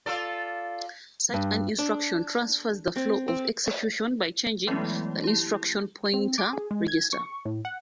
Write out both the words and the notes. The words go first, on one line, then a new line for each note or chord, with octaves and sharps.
Such an instruction transfers the flow of execution by changing the instruction pointer register.
F4 A4 D5
G2
D4
C4
C4
E3 F#3 G#3 A3 B3 E4
E4 G4
C4
D6
G#4
G#3
G#6
C#6
A2
F#5